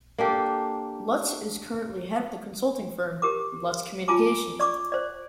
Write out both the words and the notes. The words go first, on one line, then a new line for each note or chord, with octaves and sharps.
Lutz is currently head of the consulting firm Lutz Communications.
A#3 D4 G4 A4
G4 A#4 D6
F4 G#5 A5 D6
D5 C#6 D6
C5 D5